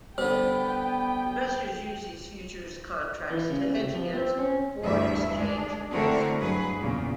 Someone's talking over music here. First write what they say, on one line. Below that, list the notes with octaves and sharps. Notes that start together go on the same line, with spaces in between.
Investors use these futures contracts to hedge against foreign exchange risk.
D3 G3 B3 C5 G5
E3
C#3
C3
F3
C4
C#4
D2 G2 E3 E5
G#3 D4
D3 A3 C4 E4 F#4 A#4
G2 F#3 G#4 B4
E2 A#2 C#3